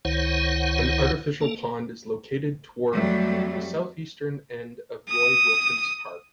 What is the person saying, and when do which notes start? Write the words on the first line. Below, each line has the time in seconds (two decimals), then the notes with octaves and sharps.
An artificial pond is located toward the southeastern end of Roy Wilkins Park.
0.05 C#2 D#3 E4 C5 C#5 F#5
1.41 A#3 A4
2.93 F2 F#3 G3 A3
5.10 D#6